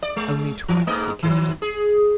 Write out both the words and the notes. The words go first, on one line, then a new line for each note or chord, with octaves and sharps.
Only twice he kissed him.
D5
G#3
E3
G#2 A3 D#5
D#3 F#3
G#4